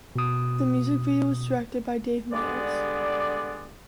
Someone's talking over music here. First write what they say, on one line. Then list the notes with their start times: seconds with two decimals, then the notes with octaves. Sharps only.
The music video was directed by Dave Meyers.
0.16 B2 D#6
2.33 D3 G3 G#3 B3 D5